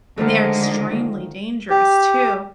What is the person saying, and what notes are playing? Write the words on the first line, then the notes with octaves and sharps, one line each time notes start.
and they are extremely dangerous too,
D3 D#3 F3 G#3 A3
G4